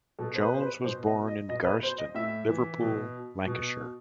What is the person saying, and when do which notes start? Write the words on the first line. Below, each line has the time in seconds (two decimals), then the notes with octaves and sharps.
Jones was born in Garston, Liverpool, Lancashire.
0.19 B2 A4
0.35 C5
0.41 B4
0.54 C5
0.62 B4
0.84 B2 C5
1.06 D#5
1.28 D#5
1.49 B2 D#5
1.66 B4
1.83 C5
1.98 D#5
2.15 A2 E5
2.48 E3
2.81 B2
3.46 B2